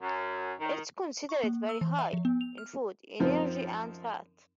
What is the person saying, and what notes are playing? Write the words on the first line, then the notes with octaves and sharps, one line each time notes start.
It is considered very high in food energy and fat.
F#2
D#3
C#6
A#3
E6
E3
E5
F3
B3
F7
F6
F#2 F3 C4 D#4